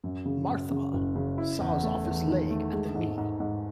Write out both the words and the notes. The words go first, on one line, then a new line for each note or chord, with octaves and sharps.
Martha saws off his leg at the knee.
F#2
C#3
F#2
C#3
F#1
C#3
E4
E2
A3
E2
D#3
A3
G#3
G#2
G#2
G#2